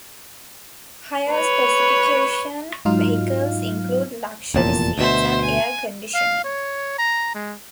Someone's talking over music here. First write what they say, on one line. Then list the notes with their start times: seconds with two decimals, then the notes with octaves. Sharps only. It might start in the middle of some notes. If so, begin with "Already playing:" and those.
Higher specification vehicles include luxury seats and air conditioning.
1.30 B4 C#5
2.85 G#2 F#3 D#4 F4 F5 F6
4.54 F1 E2 A#2 A5
4.98 D2 B2 C5 E5
5.41 G#5
6.14 F5
6.44 C#5
6.98 A#5
7.34 G#3